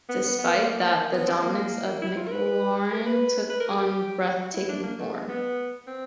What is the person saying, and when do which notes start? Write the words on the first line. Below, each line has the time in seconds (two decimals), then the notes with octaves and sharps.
Despite that, the dominance of McLaren took on breath-taking form.
0.09 B3
0.24 B3
0.38 B3
0.53 A#3
1.13 B3
1.27 C4
1.42 A#3
2.02 E4
2.17 F4
2.27 A#4
2.31 B4
2.91 A#4
3.05 B4
3.50 B4
3.60 A#4
3.70 G#4
3.79 G4
4.39 F#4
4.53 E4
4.68 D4
4.83 A#3
4.98 A3
5.13 G#3
5.28 B3
5.87 C4